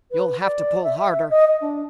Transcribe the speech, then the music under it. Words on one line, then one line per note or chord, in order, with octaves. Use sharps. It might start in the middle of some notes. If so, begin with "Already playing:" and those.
"You'll have to pull harder."
B4
D5
E5
E5
D#5
D#5
D4